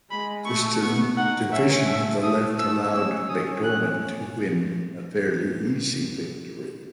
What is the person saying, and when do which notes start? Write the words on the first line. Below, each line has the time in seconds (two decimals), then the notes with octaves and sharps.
This division in the left allowed McDorman to win a fairly easy victory.
0.10 G#3 B5
0.46 A3 C#6
0.81 B3 C#6
1.17 D#4 F#5
1.52 C#4 E5
1.87 A3 E5
2.23 D#6
2.59 A3 E6
2.94 C#4 E6
3.29 D#6
3.64 F#6